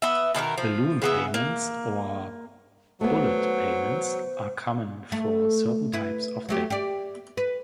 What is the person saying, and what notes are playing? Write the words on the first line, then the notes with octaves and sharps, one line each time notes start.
Balloon payments or bullet payments are common for certain types of debt.
B3 E5
B2 D#3 G4 A#4
F3
C#3 B3 E5
A#3
F#3 A3 B3 C5
A3
E4 B4
F#3 A3 G4
G4 D5
B4